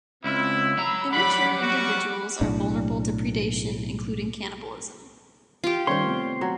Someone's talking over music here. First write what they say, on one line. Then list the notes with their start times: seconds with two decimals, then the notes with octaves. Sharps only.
Immature individuals are vulnerable to predation, including cannibalism.
0.24 C#2 C4 E4
0.78 F#3 A#5 B5 E6
1.13 F#3 G3 F#5 B5 D6
1.62 C#4 F#4
2.41 B1 A2 D4
5.64 F4 G4
5.87 D#3 G3 C#4 C5 C#5 C6
6.03 C3 A3 B3
6.41 F#3